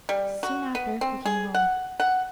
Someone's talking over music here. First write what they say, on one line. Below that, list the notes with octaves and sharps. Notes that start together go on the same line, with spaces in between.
Soon after we came home.
G3
F#4
B3
C4
G#4
F#5
F#5